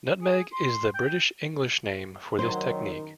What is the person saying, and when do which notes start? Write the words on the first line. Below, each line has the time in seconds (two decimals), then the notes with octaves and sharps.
Nutmeg is the British English name for this technique.
0.22 G#4
0.53 C6
0.95 G5
2.39 F#2 D#3 F#3 C5